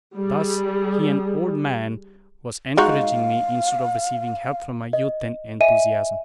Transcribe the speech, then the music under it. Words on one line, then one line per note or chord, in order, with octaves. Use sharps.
Thus he, an old man, was encouraging me instead of receiving help from my youth and enthusiasm.
G3 G#4
G#3 D#4 F#4 F5
D#5
D#5 E5 G#5 D#7